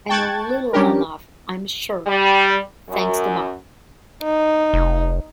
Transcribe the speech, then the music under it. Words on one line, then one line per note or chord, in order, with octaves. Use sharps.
I know little enough, I am sure, thanks to Ma!
G5 A5 C#6 F#6 G#6 A6
G3 C#4 D4 G4 A#4
G3
F#2
D#4
F1